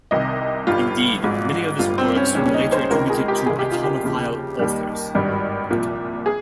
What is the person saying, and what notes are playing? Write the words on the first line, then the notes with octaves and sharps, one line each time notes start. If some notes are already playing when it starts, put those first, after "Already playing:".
Indeed, many of his works were later attributed to iconophile authors.
C2 C3 D#3 D#5
G1 G2 G3 F4
G#1 G#2 F3
G1 G2 G3 F4
C4
C#4
D#2 C#3 G3 C#4
C#4
D#4
C5
C#2 C3 D#3 A#4
G#4
G4
C2 C3 D#3 G#4
G4
F4
G4
D#2 C#3 F3
D#2 D#3 G3
G#1 G2 D#3 G3
C2 A#2 F3
G#4